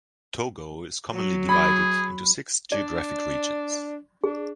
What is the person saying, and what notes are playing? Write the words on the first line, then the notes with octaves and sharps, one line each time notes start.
Togo is commonly divided into six geographic regions.
F#3
G#4 B5
D4 D5
D4 G#4